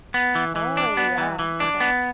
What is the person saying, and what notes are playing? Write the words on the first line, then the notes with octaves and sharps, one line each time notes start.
Oh, yeah. Okay.
B3
E3
E3
D4
B3
E3
E3
D4
B3